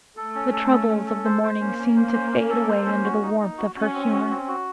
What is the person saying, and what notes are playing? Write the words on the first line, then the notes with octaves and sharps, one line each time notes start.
The troubles of the morning seemed to fade away under the warmth of her humor.
A3 A4
C#4
A4
C#4
C#4
A4
C5
C5
A#3 C#4
C#4
C5
C#4
C#4
A4
C5
C#4
F#4
D#4
D#4
F#4
C#4 F#4
C4
F#4
C4
F#4